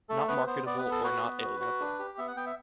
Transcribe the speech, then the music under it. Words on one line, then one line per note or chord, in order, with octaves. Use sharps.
Not marketable or not alienable.
A3 A4
B3 B4
B3 C5
B3 D5
B4
B3
A4
F#4 B4
B3
F#4
F#4
D4
G4
B3 E5
F#5
B3 G5
E5